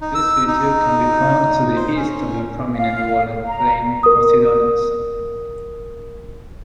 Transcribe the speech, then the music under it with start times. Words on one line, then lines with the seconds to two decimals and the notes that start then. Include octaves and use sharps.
This feature can be found to the east of the prominent walled plain Posidonius.
0.01 D#4
0.14 E6
0.47 D#4
1.76 C5
1.95 C#4
2.76 F5
3.45 A#5
4.03 A#4 D#6